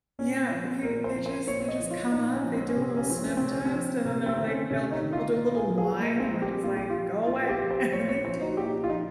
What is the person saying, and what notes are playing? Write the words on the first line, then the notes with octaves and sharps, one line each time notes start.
Yeah, we they just they just come up, they do a little sniff test, and then they're like they'll they'll do a little whine and we're just like, "Go away," and then they do,
A#2 C#4
F3
A#2 A#4
C5
F3
C5
A#2 C#5
C#5
D#5
F3
F4
A#2 D#4
C#4
F3
C4
C#4
C3
C4
C#4
F3 C4
C#4
C3 C4
C#4
C4
F3
C3 A#3
C4
D#3
C#4
C3 C#4
D#4
D#3
F4
A#2 A#4
G#4
F3
G#4
A#2 A#3
C4
F3
G4
A#2 F4
G4
F4
F3
A#2 F4
G4
F3
C5
A#2 C#5
C#5
F3 C5
D#4
A#2 G4
F4
F3 D#4